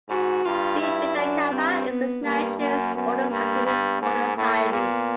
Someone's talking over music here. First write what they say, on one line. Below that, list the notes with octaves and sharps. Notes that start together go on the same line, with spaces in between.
Phi Beta Kappa is the nation's oldest academic honor society.
G#2 F#4
G2 F4
G2 E4
F#2 D4
G2 C4
B3
G2 A#3
F#2 A#3
F#2 B3
G2 A#3
G2 B3
G#2 A#3
A2 A#3
A#2 B3